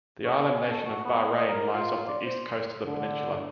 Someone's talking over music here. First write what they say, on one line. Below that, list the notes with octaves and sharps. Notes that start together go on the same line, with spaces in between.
The island nation of Bahrain lies off the east coast of the peninsula.
C#5
C#4
A4
F#4
B3
D#5
A#4
F4
D5
C5
D3